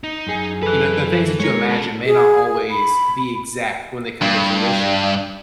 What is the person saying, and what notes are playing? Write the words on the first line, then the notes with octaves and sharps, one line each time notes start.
you know, the things that you imagine may not always be exact when they come to fruition.
D#4
F#2 G#4 G#5
E3 A4 B4 F#6
G#3 G#4 A#4 C#5
C#4 A4
G#4
B5
G2